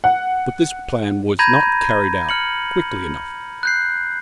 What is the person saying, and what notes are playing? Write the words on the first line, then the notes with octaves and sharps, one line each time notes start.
But this plan was not carried out quickly enough.
F#5
A#5 B5 G6 G#6 A#6 D#7
F6 C#7 F#7
F#6 G6 C7